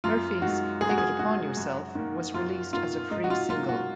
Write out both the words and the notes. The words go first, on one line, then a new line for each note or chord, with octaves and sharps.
Murphy's "Take It Upon Yourself" was released as a free single.
F#2 F4
D#3 G#3 F#4
F#2 G#4
F#4
G#4
D#3 G#3 F#4
F#2
D#3 A#3
F#2 F4
D#3 A#3 F4
G#2 D#4
F#4
F4
F#3 A#3 F4
F#4